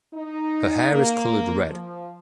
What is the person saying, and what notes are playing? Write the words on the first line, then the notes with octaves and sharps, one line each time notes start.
Her hair is colored red.
D#4
A#3
F3